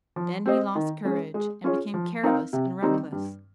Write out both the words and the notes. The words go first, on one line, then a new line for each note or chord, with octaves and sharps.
Then he lost courage, and became careless and reckless.
F3
C4 G4 C5 D#5
D#3
G#3 C#4
G#3
C#4 F4 G#4 C#5
F3
C4 D#4 A#4 F5
C3
D#3 G3 C4 D#4
G2